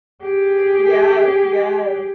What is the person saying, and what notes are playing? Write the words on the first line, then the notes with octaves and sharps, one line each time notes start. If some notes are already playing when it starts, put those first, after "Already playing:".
Yes, yes.
G4 G#4